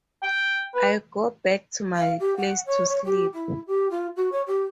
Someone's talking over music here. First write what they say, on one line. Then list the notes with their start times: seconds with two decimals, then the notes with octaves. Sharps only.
I go back to my place to sleep.
0.23 G5
0.75 B4
1.96 F5
2.20 G4
2.37 F#5
2.67 C#5
2.88 C#5
3.05 G4
3.34 E4
3.67 G4
3.90 F4
4.16 F#4
4.32 C#5
4.47 G4